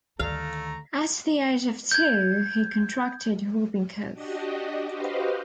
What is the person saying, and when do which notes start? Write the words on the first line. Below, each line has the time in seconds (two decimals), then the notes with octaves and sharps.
At the age of two, he contracted whooping cough.
0.20 D2 D#3 A3 F5 A#5
1.91 G6 G#6
4.13 D4 F#4 G4 D#5
4.89 F#4 G4 B4 C5 D#5 F5